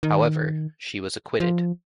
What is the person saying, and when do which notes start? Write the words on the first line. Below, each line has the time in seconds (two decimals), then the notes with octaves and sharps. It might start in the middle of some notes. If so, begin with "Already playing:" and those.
However, she was acquitted.
0.03 D#3
1.40 F3